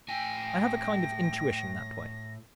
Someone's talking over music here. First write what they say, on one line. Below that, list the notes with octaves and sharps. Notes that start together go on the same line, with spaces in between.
I have a kind of intuition that way.
A2 G5 G#5 A#6